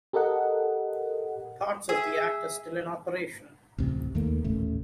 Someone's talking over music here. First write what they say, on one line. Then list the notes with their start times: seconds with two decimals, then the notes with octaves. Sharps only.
Parts of the Act are still in operation.
0.13 G4 A4 A#4 D#5 F#5
1.89 G#4 E5
3.78 A1 D2 C3
4.15 D#2 D#3 A3 A#3
4.44 D#1 A1 C#3 A3